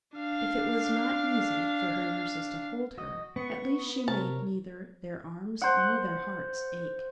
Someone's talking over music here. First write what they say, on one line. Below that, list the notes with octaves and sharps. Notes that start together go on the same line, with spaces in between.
If it was not easy for her nurses to hold her, at least she made neither their arms nor their hearts ache.
D4 F5
F#4 D#5
B3 C#6
C3 A#4 C#5 A5
C5 F#5